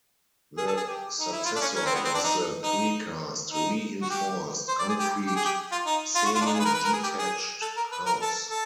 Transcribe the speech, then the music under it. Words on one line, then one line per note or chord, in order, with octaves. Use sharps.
The successor was the pre-cast re-inforced concrete semi-detached house.
G#4
A4
G#4
G4
D#4
E4
F4
D4
C#4
C#4
C4
B3
C4
D4
D#4
D#4
D#4
F#4
G4
C5
D5
G#4
G4
G4
G#4
G4
F4
D#4
F4
F#4
F4
D4
D#4
G#4
B4
A#4
B4
A#4
G#4
G4
G#4
A4
A#4
B4
A#4
A4
A4